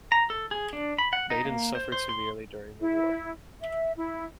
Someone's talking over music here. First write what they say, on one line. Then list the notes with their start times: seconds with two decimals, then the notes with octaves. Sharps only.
Baden suffered severely during the war.
0.12 A#5
0.30 A4
0.51 G#4
0.73 D4
0.98 B5
1.13 F#5
1.30 D#4
1.45 A#3
1.75 C5
1.92 C5
2.09 C6
2.80 E4
3.61 E5
3.97 E4